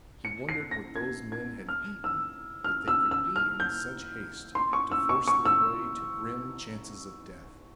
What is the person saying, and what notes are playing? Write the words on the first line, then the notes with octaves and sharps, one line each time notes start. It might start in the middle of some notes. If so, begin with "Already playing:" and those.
He wondered what those men had eaten that they could be in such haste to force their way to grim chances of death.
C#7
C7
A#6
G#6
G#6
F6
E6
F6
E6
E6
F6
G6
C6
C#6
E6
C#6
C#6
E6